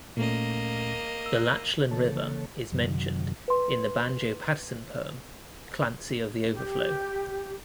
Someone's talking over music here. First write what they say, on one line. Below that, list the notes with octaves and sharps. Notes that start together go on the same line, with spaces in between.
The Lachlan River is mentioned in the Banjo Paterson poem "Clancy of the Overflow".
A#2 A3 A#3 C#4 D#5
E6
C#3 E3 A#3 A4 C#5 A5
F#2 C3 D#3 F#3
B4 C6
G4